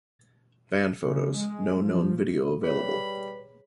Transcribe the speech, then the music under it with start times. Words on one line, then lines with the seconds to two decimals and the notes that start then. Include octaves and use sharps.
Band photos, no known video available.
1.03 C#3
1.38 G#3
1.80 F3
2.63 G3 G#4 B4 C#5 B5